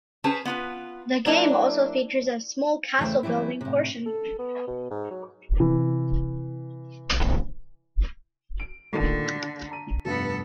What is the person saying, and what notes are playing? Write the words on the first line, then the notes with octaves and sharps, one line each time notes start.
The game also features a small castle-building portion.
C#4 G#4 B4 C5 A5
B3 F4 B4
F#3 A#3 D4 E4
E2 C#3 E3 A3 C5 G5
E3 F#3 G3 C4 E4
A2 C3
A4
B3
B2
G#2
F#3
C3 E3
D7
A#2 D3 D#3 A3
B6
A5 A#5 D#7
F1 G2 B3 A4